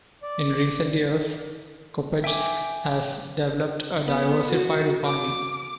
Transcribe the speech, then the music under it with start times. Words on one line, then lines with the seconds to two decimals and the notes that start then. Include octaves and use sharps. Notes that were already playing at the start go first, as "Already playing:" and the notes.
In recent years Kopejsk has developed a diversified economy.
0.22 D5
2.24 E5 G5 G#5 D6
4.06 B3
4.48 F#4
5.04 D6